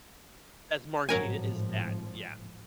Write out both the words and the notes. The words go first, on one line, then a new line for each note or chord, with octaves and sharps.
That's Martin Sheen, his dad. Yeah.
G#1 A2 F3 F#3 A#4 G#5